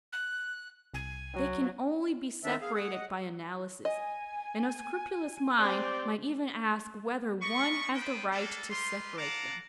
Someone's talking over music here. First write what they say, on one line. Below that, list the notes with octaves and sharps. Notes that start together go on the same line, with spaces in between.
They can only be separated by analysis, and a scrupulous mind might even ask whether one has the right to separate them.
F#6
C2 G#5
F#3
D#3 C4 D4 E5
G#4 F5
F#5
D#5
D#5 G#5
C4 G4 D5
D5 D#5 B5 C#6
B3 C4 A4 B4 C5 G5
A#3 D4 A4
D#4 F4 G4 B4 C6
F5 F#5 A5 A#5 D6